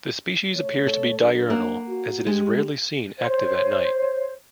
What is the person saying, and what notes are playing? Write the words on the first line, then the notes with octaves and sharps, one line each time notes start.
The species appears to be diurnal, as it is rarely seen active at night.
A3 C#5
A4
F#3 D4 A#4
A#3 F#5
F#4
G#3 G4
C5 C#5